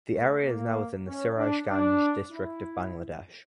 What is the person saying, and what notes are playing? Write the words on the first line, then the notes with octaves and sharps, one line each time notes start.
The area is now within the Sirajganj District of Bangladesh.
A3
A#3
C#4
D4
D4
E4